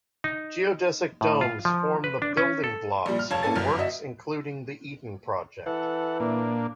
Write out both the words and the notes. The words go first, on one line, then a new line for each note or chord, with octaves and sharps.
Geodesic domes form the building blocks for works including The Eden Project.
D#4
A2
F4
F3
B4
D4
C#4
A4
A#1 A#2 G3
F6
F1 C#5 F5 A5 G#6
A2 A#3 C#4 A4 G#5 A6
G1 F#2 F6
F#4 D#5 E5
E3 A4 F#5
A#2 A#3 D4